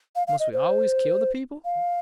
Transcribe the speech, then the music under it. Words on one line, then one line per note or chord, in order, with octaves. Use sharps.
"Must we always kill the people?"
F5
F5
D#5
C5
F5